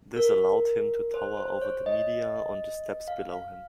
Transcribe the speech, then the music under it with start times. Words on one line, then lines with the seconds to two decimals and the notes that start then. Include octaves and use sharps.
This allowed him to tower over the media on the steps below him.
0.16 A#4
1.14 C5
1.37 C5
1.62 C#5
1.86 D#5
3.08 F5
3.32 F5